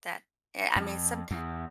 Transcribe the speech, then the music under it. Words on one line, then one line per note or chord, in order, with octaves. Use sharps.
that eh, I mean, somet
F2
E2